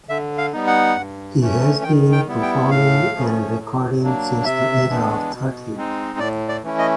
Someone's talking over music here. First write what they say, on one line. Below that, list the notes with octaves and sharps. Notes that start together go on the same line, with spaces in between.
He has been performing and recording since the age of thirteen.
D3 E5
F5
G3 B3 D#4
F#5
G2
E3 A3 C#4
D#3 G5
G5
G3 B3 E4
G5
A2 F5
F3 A3 C#4
A2
F#3 A#3 D4
C3 E5
E3 G#3 B3 D4
B2
G#3 C4 D#4
A2 D5
D5
E3 A3 C#4 E4
D#5